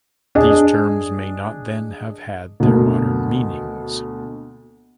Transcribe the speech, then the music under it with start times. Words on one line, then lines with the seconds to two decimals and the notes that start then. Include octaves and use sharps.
These terms may not then have had their modern meanings.
0.35 D4 G#4 D#5
2.60 D2 B2 A#3